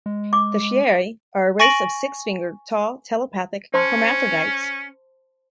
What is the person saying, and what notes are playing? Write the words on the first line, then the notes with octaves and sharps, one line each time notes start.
The "Chieri" are a race of six-fingered, tall, telepathic hermaphrodites.
G#3
D6
G#5 C#6 A6 A#6 D7 F#7
C#4 C5 A5 C6